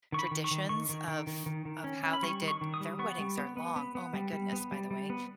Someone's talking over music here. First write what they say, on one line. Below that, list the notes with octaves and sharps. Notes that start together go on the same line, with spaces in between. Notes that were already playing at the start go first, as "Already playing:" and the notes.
traditions of of how they did their weddings are long. Oh my goodness, by the way,
D#3 C#6
B5
D#3
C#6
D#3
D#3 C#6
D#3
D#3
D#3
D#3
D#3
C#4
C#4
B5
G3 C#6
D#3
C#6
D#3
D#6
G3
B3 C#6
G3
B3
B3
B3
B3
G3
G3
B3
G3
G3
B3